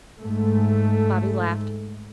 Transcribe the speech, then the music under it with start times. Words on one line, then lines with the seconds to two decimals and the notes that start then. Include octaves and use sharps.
Bobby laughed.
0.22 G#2 A3